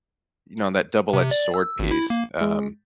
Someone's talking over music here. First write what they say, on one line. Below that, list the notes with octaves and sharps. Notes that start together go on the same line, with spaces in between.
you know, on that double-edged sword piece, um
C3
D5
E6
G#1
E4
A#3
G#3